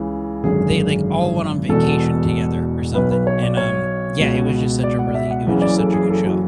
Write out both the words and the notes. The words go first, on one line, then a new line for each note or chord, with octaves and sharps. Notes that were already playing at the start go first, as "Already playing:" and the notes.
they, like, all went on vacation together or something, and, um, yeah, it was just such a really it was just such a good show.
Already playing: C#2 C#3 E3
G#1 F#2 D3 G#4
E1 E2 B2 A4
B1 B2 B4
B4
C#5
D5
C#5
C#2 B2
D5
F#5
D5
E5
F#5
F#1 F#2 C#3 E3
D5
A4
G#4
A4
F#4